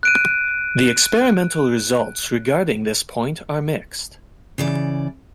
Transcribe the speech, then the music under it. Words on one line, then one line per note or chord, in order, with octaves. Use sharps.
The experimental results regarding this point are mixed.
F#6 D7 D#7
C#3 E3 D5